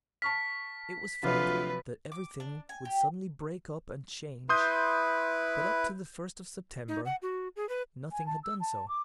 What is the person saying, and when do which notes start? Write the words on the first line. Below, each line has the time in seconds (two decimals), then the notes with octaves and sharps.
It was felt that everything would suddenly break up and change, but up to the first of September nothing had done so.
0.22 A5 C#6 F6 B6
1.23 D2 C3 F3 F#3 F4 B4
2.12 D6
2.40 D4
2.69 G#5
2.85 G4
4.49 E4 B4 C6 D#6 G6
6.88 D#4
7.05 F#5
7.22 F#4
7.56 G#4
7.69 B4
8.11 G#5
8.26 A5
8.43 E6
8.60 A5
8.88 D6